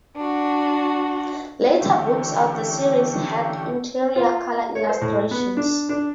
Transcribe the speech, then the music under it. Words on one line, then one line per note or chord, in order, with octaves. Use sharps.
Later books of the series had interior color illustrations.
D4 F#4
D3 E3 A3 C#4 G4
F4
C#5
C5
A2
B3
D4
D4